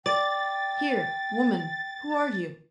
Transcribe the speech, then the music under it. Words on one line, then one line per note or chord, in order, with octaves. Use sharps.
Here! woman, who are you?
D5 G5 A6